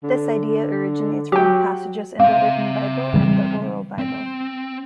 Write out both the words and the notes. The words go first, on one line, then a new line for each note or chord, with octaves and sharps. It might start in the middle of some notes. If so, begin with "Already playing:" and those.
This idea originates from passages in the Written Bible and the Oral Bible.
D3
F#3 G4 G5
C4 E5 F5
C#3 E3 G3
C4